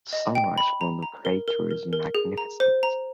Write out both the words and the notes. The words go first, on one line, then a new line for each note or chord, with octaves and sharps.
The sunrise from the crater is magnificent.
D#5
G5
B5
A#5
A#5
A#4
A#4
A#4
A#4
G#4
A#5
C5
A#5